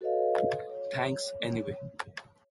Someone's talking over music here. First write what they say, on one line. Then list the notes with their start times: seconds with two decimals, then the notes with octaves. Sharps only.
Thanks anyway.
0.01 F#4 A4 B4 C#5 D#5 F5
0.70 C#5